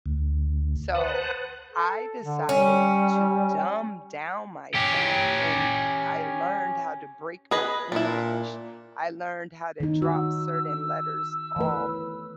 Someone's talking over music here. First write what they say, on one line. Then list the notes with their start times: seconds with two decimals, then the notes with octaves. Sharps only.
So, I decided to dumb down myself and I learned how to break my English. I learned how to drop certain letters off
0.06 D2
0.95 B4 C5 F#5 A5 D#6 F#6
1.73 A4
2.23 D3
2.49 G3 C#4
4.75 C#4 G4
7.51 G#4 B4 D#5
7.92 A#2 D4 E4
9.80 D#3 D#4
10.02 F#4 E6
11.56 E3 A3 B4